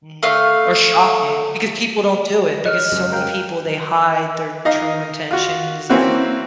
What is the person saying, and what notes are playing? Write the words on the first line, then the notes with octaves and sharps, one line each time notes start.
Mhm. Or shocking because people don't do it because so many people, they hide their true intentions.
A3 F5
C#5 D#5 F6 F#6
C#2 F#2
A#4 F5 G5
D#4 D#5 F5
F4 F#4
E3 A#3 C4 C#4 E4 F#4